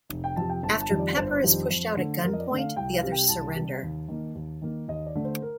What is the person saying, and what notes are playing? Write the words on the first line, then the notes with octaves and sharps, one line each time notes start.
After Pepper is pushed out at gunpoint, the others surrender.
F1
G5
F2 C3 A5
G5
G1 A5
A5
F2 D#3 G3
D5
G1 C5
F2 D#3 G3
F2
D3 A3
F2 A#4
D#5
D5
D3 A3
F5
C2 G5
F5
C3 G3
G5
C2 A5
C3 G3
D#2
D#3 A#3
D#2
D#3 A#3
D#2 D#5
D5
D3 A3
C5
A#4